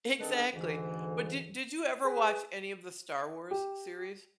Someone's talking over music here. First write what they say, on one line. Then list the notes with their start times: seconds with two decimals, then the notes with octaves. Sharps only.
Exactly. But did did you ever watch any of the Star Wars series?
0.18 D3 D#3 C4 D4 G#4 B4
0.52 D2 G#2 D3 E3
2.03 G#4 B4
3.51 G4